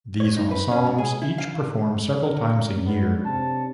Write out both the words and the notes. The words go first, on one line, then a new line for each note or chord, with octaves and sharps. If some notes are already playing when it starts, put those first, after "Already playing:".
These ensembles each perform several times a year.
C#5
D#4
B4
C#4
G#2
G#4
E4
F5
D4 A#4 C#5
G#3 B3
C3 A5